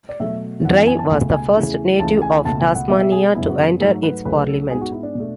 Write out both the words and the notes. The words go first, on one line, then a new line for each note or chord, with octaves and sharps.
Dry was the first native of Tasmania to enter its parliament.
D5
B2 F#3 A3 E5
F#2 E3 B3 F#5
G#5
A5
C#2 B2 A3 G#5
G#5
E2 C#3 E3 A3
C#2 C#3 E3 A3 A5
G#5
C#2 B2 A3 A5
G#5
F#5
B2 G#3 B3 E5
E5
G#4
F#2 C#3 G#3 B3 E4
F#4
G#2 F#3 A3 A4
B4
C#2 C#3 F#3 A3 B4
A4
G#2 G#3 B3 G#4
F#4
E4
D4
B2 A3